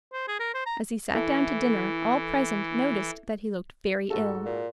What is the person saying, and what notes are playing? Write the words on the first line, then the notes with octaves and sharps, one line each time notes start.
As he sat down to dinner all present noticed that he looked very ill.
C5
G#4
A#4
C5
A#5
E3 E4 A4 E5
G#2 F#4 A4
A#2